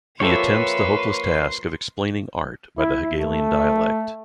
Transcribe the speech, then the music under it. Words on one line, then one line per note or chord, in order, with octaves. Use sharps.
He attempts the hopeless task of explaining art by the Hegelian dialectic.
F3 A#3 G4 A4 B4 C#5 E5 C6
E4
A3